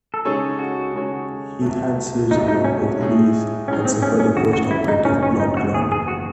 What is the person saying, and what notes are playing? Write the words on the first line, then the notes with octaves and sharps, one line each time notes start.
He had surgery on both knees, and suffered a post-operative blood clot.
A4
C#3 G#3 D#4 G#4 A4 C#5
F#4
C#3 G#3 D#4 A4 C#5
C2 C3 F#3 A3
C2 C3 F#3 A3 D#4
D#4
C#4
C#4
A2 G#3 D#4
A2 G#3 C#4 D#4
C4
C#4
C#4
F#1 F#2 D#3 F#4
F#4
E4
D#4
F#1 F#2 D#3 C#4
C#4
D#4
F#4
F#1 E2 D#3 G#4
G#4
F#4